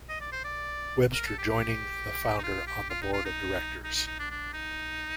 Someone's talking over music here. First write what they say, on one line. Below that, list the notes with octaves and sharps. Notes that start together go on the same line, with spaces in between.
Webster joining the founder on the board of directors.
D#5
D5
C5
D5
A#4
A4
G4
G4
D#4
F4
G4
F4
D#4
F4
D#4
D#4
D#4
D#4
D4
D4
D#4